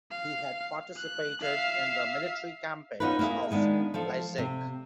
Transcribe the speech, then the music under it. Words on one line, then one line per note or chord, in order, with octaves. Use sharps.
He had participated in the military campaigns of Leszek.
F5
F#6
E5 F5
B3 C#4 D#4 F4 A#4 B4
A#3 E4 G#4
D#3 G#3 B3 D4
F3 F4 A4
C3